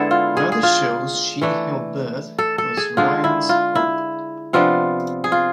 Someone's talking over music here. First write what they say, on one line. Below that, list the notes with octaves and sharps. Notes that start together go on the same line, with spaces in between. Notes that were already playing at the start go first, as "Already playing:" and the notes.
One of the shows she helped birth was "Ryan's Hope".
Already playing: D3 G#3 B3 E4 A4
F4
G#4
G#4
F4
E3 A3 D4
A4
A4
G#4
D3 G#3 D4 F4
E4
F4
E4
C3 F3 B3 D4 F4
G#4
F4